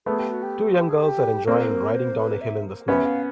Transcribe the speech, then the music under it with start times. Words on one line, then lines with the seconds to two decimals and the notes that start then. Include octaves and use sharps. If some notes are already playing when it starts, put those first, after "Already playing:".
Two young girls are enjoying riding down a hill in the snow.
0.06 A3 B3 G#4
0.19 G4
0.31 F#4
0.43 G4
0.77 G4
0.89 G#4
1.03 G4
1.47 A#3 C4 A4
1.72 A#4
1.94 C5
2.18 B4
2.41 E5
2.88 B3 C#4 E5
3.05 F5